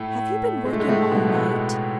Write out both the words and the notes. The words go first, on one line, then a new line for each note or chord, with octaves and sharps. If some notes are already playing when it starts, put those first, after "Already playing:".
Have you been working all night?
Already playing: A2 A3
G#3
A3
G#2 G#3
A2 A3
B2 B3
A3
B2 B3